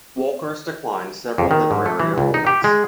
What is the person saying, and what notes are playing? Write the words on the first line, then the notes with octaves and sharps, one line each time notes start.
Wolkers declined several literary awards.
F2
D#3
G#2
A3
E3
C#2
D#4
G4
G#3